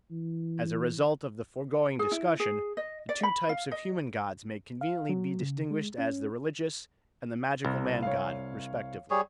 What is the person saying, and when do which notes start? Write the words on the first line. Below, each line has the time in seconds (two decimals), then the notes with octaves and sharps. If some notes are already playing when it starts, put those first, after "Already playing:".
As a result of the foregoing discussion, the two types of human gods may conveniently be distinguished as the religious and the magical man-god respectively.
0.11 E3
1.99 G#4
2.12 E4
2.40 G#4
2.77 D#5
3.09 D5
3.23 B5
3.49 F5
3.71 D#5
4.81 F5
5.09 F#3
5.41 C#3
5.71 G#3
5.98 C#4
7.65 C2
8.03 C#5 F5
9.10 G3 G#4 C#5